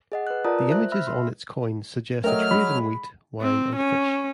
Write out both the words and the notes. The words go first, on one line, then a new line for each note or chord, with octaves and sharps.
The images on its coins suggest a trade in wheat, wine and fish.
G#4 D#5 F#5
B4 F#6
F4 A#4 D5 A5 A#5 D#6
C5 E5 F#6
E5 B5 E6 F6
C6
F#3 A3 A#4 D#5 G5 F6
G#3 B5
C4
C#4